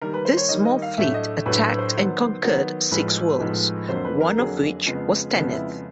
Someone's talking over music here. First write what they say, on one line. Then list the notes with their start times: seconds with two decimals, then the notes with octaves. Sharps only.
This small fleet attacked and conquered six worlds, one of which was Tanith.
0.02 D#3 G3 A#3 D#4 A#4
0.14 B4
0.25 C5
0.37 C#5
0.49 D#3 G3 A#3 D#4 D#5
0.65 D#5
0.82 F5
0.98 A2 F#3 A3 D4 E5
1.14 D#5
1.46 A2 F#3 A3 D4 B4
1.62 B4
1.78 C5
1.95 D#3 F#3 B3
2.43 D#3 F#3 B3
2.91 A2 F3 G#3 B3 D#4 B4
3.40 A2 F3 G#3 B3 D#4
3.88 F2 D3 F#3 A#3 C5
4.05 B4
4.21 A#4
4.36 F2 D3 F#3 A#3 G#4
4.85 F2 C#3 F3 G#3 B3
5.33 F2 C#3 F3 G#3 B3
5.50 E4